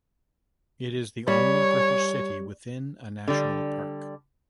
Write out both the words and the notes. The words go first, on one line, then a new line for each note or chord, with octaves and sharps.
It is the only British city within a national park.
G3 C#5
D3 G3